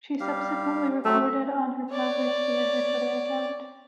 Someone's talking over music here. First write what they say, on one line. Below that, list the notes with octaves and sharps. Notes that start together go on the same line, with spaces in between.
She subsequently reported on her progress via her Twitter account.
G3 G4 F5
F#3 A3 C4
C#5 D5